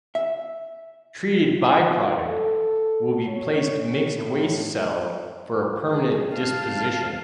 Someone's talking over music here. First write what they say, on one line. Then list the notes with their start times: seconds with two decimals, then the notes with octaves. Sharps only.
Treated byproduct will be placed mixed waste cell for a permanent disposition.
0.15 E5
2.25 A4
3.28 C#5
4.17 A2
5.90 G#4
6.36 F5 A5